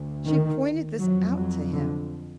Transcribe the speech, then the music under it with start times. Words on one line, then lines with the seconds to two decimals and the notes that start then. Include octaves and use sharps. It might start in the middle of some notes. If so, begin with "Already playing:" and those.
She pointed this out to him.
Already playing: D2
0.25 D#3
0.99 F2 F#3
1.36 F#3
1.72 D3